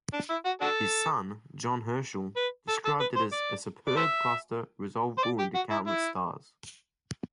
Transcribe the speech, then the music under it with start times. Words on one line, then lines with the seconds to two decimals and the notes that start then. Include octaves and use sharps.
His son, John Herschel, described it as "a superb cluster resolvable into countless stars".
0.14 D4
0.30 E4
0.45 F#4
0.61 D4 F#4 A4
2.36 B4
2.68 A4
2.85 A4
3.00 B4
3.16 C5
3.32 D5
3.88 D5
3.97 A4 C5 E5
5.18 C5
5.23 D5
5.39 G4
5.55 F#4
5.71 E4
5.88 E4